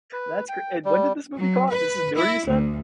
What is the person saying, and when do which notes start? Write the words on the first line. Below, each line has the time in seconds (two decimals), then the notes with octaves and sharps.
that's cr and when did this movie come out? This is newer you said?
0.13 B4
0.49 G5
0.85 G3
1.36 F#3
1.68 B4
2.15 E4
2.45 D2